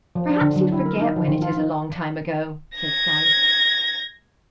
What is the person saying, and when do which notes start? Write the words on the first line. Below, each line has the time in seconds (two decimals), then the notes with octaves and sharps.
"Perhaps you forget when it is a long time ago," said Sallie.
0.15 F3
0.29 D4
0.41 D3
0.56 F#3
0.72 E4
0.86 A#4
1.01 D#4
1.16 F3
1.28 D#3
1.42 F4
1.57 D#4
2.77 G#6 A#6